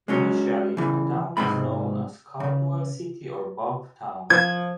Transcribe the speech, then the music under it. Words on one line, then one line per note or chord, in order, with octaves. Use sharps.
Initially, the town was known as Caldwell City or Bob Town.
G#3 C#4 F#4
C#3 E3
G#2 C3 G#3 B5
C#3
F3 G#6